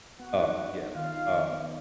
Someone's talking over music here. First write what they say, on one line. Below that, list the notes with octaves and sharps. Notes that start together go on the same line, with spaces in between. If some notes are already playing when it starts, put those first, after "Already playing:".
Uh, yes, um,
B3 F#4 F#5
D#4
B3
D#4
D#3 F4 F5
D#4
D#3
B3